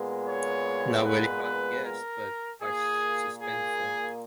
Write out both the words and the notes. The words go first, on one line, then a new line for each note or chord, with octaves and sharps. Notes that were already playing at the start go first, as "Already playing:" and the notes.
Not very hard to guess, but quite suspenseful.
Already playing: A#2 G#3 B3
C#5
B4
B4
A#4
A#2 A#3 G#4
G#4